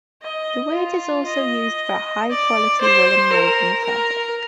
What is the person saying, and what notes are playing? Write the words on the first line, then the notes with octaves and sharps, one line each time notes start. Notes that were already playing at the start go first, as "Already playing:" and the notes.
The word is also used for a high quality woolen woven fabric.
D#5
F4
D#5
D5
C5
A#4
A#4